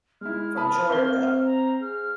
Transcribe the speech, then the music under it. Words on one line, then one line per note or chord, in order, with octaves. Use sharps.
from Georgia.
G#3 E4 F6
A5 B5 D#6
C4 C5 F5 G7
A#5
G#4 F6